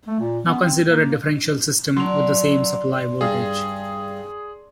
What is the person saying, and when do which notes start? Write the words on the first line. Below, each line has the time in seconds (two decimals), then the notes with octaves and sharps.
Now consider a differential system with the same supply voltage.
0.07 A3
0.19 A#2
0.46 B3
0.61 C4
0.85 A#3
1.97 F#3 D4 E4 C6 F7
3.21 G2 G#4